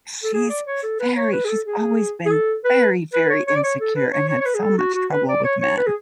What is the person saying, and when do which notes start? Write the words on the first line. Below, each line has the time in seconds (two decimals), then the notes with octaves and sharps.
She's very she's always been very, very insecure and had so much trouble with men,
0.23 A4
0.33 G#4
0.49 D5
0.66 C#5
0.83 A4
0.99 B4
1.16 C#5
1.32 B4
1.45 G#4
1.49 A4
1.65 G#4
2.26 G#4
2.31 A4
2.64 B4
3.13 B4
3.30 C#5
3.47 C#5
3.56 D5
3.63 C#5
3.80 A4
3.95 B4
4.12 C#5
4.29 C#5
4.41 C#5
4.46 B4
4.54 G#4
4.62 A4
4.78 F#4
4.95 F#4
5.11 B4
5.28 D5
5.44 C#5
5.61 C#5
5.77 B4
5.87 G#4